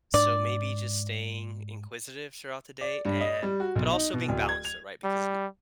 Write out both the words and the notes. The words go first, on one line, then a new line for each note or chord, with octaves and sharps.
So maybe just staying inquisitive throughout the day and but also being balanced, though, right, because n
G#2 D4 D5
D5
G2
D#5
G3
F#4
B1
D#4
B2
D1
G#6
F7
G3